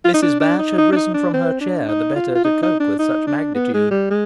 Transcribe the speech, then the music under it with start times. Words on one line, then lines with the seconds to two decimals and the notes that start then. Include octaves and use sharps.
Mrs. Batch had risen from her chair, the better to cope with such magnitude.
0.05 F4
0.14 D#4
0.22 D4
0.40 D4
0.59 D#4
0.78 D#4
0.92 D4
0.96 D#4
1.14 D4
1.34 C4
1.61 D4
1.89 D#4
2.16 F4
2.35 F4
2.44 D#4
2.63 D#4
2.80 D4
2.99 D#4
3.27 D4
3.54 B3
3.74 G#3
3.91 G3
4.10 G#3